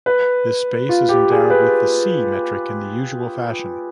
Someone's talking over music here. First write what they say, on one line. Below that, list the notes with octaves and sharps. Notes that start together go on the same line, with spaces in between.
This space is endowed with the "C" metric in the usual fashion.
B4
F4
G4
G#4
B4